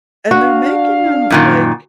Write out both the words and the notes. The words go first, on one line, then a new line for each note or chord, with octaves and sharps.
And they're making them, like
D4 F#4 F5
F#2 A#2 D#3